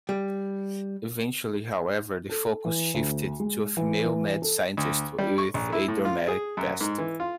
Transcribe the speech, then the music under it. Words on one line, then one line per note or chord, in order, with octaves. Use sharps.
Eventually, however, the focus shifted to a female mad scientist with a dramatic past.
G3
A4
E3
D2
G#3
E3
E3
A4
D2
G3
C#6
A#1
E4
A2
F4
G#4
F#2
G#2
E3
F4